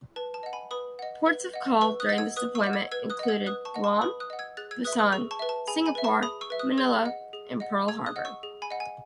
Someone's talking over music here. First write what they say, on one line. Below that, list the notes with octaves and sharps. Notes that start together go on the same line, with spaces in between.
Ports of call during this deployment included Guam, Busan, Singapore, Manila and Pearl Harbor.
B4 A5
A5
D#5 F#5
G#5 B5
B4 B5 D#6
D#5 F#5
B4
D#5 F#5
B4 C#6 E6
D#6 F#6
D#5 F#5 A6
E6 G#6
B4 D#6 F#6
C#6 E6
D#5 F#5
E6 G#6
B4 E6 G#6
D#6 F#6
D#5 F#5
E6 G#6
B4 D#6 F#6
A5 C#6
D#5 F#5
A5 C#6
B4 B5 D#6
D#6 F#6
D#5 F#5
E6 G#6
G#4 F#6 A6
E6 G#6
B4 E5 D#6 F#6
D#6 F#6
G#4 C#6 E6
A5 C#6
B4 E5
A5
G#4 G#5 B5
G#5 B5
B4 E5
A5 C#6
G#4 B5 D#6
C#6 E6
B4 E5
D#6 F#6
G#4 E6 G#6
D#5 F#5
G#4
D#5 F#5
G#4 E6 G#6
D#6 F#6
D#5 F#5
C#6 E6
G#4
G#5 B5
D#5 F#5
G#5